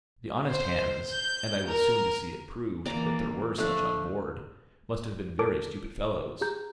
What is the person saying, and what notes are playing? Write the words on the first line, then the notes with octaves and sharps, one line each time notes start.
The honest hands--and I was soon to see it proved that there were such on board--must have been very stupid fellows.
C5
G6
A#4
D#3 E3 A#3 D5 A#5
F3 A3 D4
A4 A#4 C#5 A5 D6 D7
G4 G#4 A#5 G6